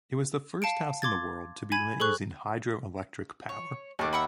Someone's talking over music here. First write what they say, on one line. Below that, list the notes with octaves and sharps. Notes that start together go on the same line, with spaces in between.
It was the first house in the world to be lit using hydroelectric power.
F5 A5 C#7 D7
C6 D6 G#6 A6
G#5 B5 G#6 D#7
G#4 A4 C5 C#6 F#6
C#5
D#2 A3 F#5 D6
E5 F#5 B5